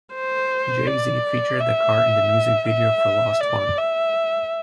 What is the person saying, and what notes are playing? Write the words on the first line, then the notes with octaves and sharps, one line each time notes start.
Jay-Z featured the car in the music video for "Lost One".
C5
D5
E5
E5
D5
E5